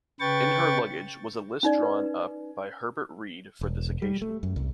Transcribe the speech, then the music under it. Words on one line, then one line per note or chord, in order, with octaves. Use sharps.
In her luggage was a list drawn up by Herbert Read for this occasion.
C#3 B4 G5 C#6 A6
C#4 D#4 D5
B4
E1
G3
A3
F#2
C2